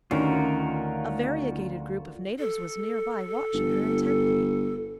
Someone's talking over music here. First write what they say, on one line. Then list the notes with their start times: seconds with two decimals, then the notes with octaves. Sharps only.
A variegated group of natives was near by, watching her intently.
0.11 D2 D#3 C#4 F4 F#4 A#4
2.39 A4
3.54 G1